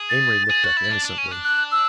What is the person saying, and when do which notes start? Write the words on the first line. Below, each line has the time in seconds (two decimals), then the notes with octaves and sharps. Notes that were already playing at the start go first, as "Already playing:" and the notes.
Amory looked up innocently.
Already playing: G#4
0.09 A6
0.50 G#4
0.64 F#4
0.77 E4
0.91 D4
1.05 D4
1.18 C#4
1.31 D4
1.44 F#6
1.72 E6